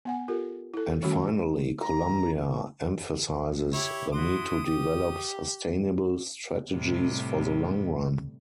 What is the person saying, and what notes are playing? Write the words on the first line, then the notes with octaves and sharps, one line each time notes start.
And finally, Columbia emphasizes the need to develop sustainable strategies for the long run.
B3 F#5 G#5
F4 G4 A4 A#4
E4 A4
D#3 G3 A3 C#4 F#4
A#5
E4 G4 C#5
E4 F#4 C6 D#6
G4
A2 C3 G3